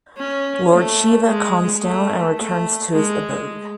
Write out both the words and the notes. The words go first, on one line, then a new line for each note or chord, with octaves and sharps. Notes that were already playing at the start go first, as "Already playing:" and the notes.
Lord Shiva calms down and returns to his abode.
C#4
A3
G#3
A3
A3
G#3